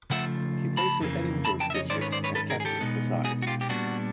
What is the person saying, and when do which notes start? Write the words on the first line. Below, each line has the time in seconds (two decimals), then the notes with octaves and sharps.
He played for Edinburgh District and captained the side.
0.10 C#3 F3 A3 F4 E5 F#5
0.77 A5 B5
1.01 F2 C#3 E3 G3 A#3
1.45 A5 B5
1.60 G5 A5
1.70 E5
1.75 C#5 D#5
1.90 G#2 D#3 G#3 C#4 C5 D5
2.01 B4 C#5
2.12 C5 D5
2.24 B4 C#5
2.35 A4 B4
2.50 G#4 A#4
2.60 G#4
2.65 G4 A4
2.81 B2 G#3 B3 D#4
3.25 F#4 G#4
3.42 F#4
3.47 F4 G4
3.61 G4
3.69 A#2 G3 B3 D4 F#4